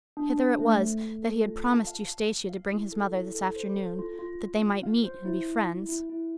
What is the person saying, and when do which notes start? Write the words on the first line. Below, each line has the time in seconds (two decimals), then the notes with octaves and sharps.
Hither it was that he had promised Eustacia to bring his mother this afternoon, that they might meet and be friends.
0.17 D4
0.38 C5
0.60 A3
0.81 A4
1.01 A3
1.23 A4
1.44 F4
1.65 A5
1.87 F5
2.07 F5
2.29 F5
2.49 F5
2.71 E4
2.92 A4
3.13 E4
3.35 A4
3.56 C5
3.77 A4
3.99 F4
4.19 F4
4.41 F4
4.62 F4
4.83 F5
5.04 C5
5.25 E4
5.46 E4
5.67 E4
5.89 E4
6.09 E4